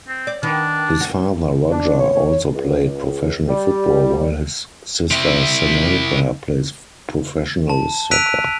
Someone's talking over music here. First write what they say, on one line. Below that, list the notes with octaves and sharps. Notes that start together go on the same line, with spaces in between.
His father Roger also played professional football, while his sister Samantha plays professional soccer.
C4
D5
D#3 B3 D4
F#4
D4
C#5
C#2
G3
C3 E4
A5
E6 F#6 B6 D7 D#7 F7